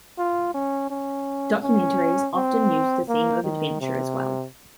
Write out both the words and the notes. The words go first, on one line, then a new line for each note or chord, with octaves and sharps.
Documentaries often use the theme of adventure as well.
F4
C#4
C#4
C#4
C4
A#3
D#3
C3